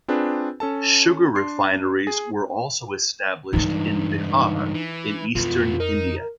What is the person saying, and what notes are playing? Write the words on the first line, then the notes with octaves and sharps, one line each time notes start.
Sugar refineries were also established in Bihar, in eastern India.
C4 D4 F4 G#4 B4
C#4 A4 A5
D4 C6 C7
G#4
C#2 G2 E3 D4 D#4
E3
F2 B2 E3 F4
D#4 A#4